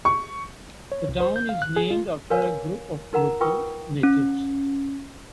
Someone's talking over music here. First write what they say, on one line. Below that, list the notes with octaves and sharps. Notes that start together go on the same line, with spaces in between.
The town is named after a group of local natives.
C#6
C#5
C2
C5
G6
F5
F#6
G#4
F4
A#4 B4 C#5 F5 G#5
D#4 A#4 F#5 A#5
F4 A#4 B4 G5 C#6 D#6
C#4